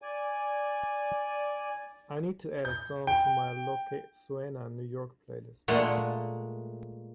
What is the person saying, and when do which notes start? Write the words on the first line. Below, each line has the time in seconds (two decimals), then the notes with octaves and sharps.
I need to add a song to my lo que suena new york playlist.
0.02 D5 G#5
2.65 G6
3.07 G5
5.68 A#2 G#3 A3 F#5